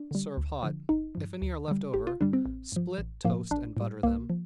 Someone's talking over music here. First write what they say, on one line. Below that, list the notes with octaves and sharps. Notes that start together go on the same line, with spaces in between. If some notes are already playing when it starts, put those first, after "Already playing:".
Serve hot. If any are left over, split, toast and butter them.
Already playing: D4
D3 G3
D2
D3 F3
G1 D#4
G2 F3
D2
D3 G3
G1 G4
F4
G2 D3 G3 D4
C4
A1
G2 F3
A1
A2 F3 A#3
A1 D4
A2 G3
C2 A#3
F3